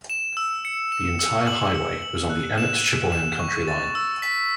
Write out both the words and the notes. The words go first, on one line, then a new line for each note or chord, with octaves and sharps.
The entire highway was on the Emmet-Cheboygan county line.
E7
E6
C#7
E7
E6
F#7
E6
F#7
F#6
E7
E7
E7
C#6
A6
E6
B6